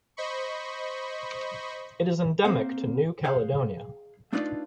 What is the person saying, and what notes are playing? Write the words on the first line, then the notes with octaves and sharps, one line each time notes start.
It is endemic to New Caledonia.
C5 D#5 B5 C#6
A#3 C4 C5 F#5
G#4 C5 F5 F#5
A3 D4 D#4 F4 B4 D5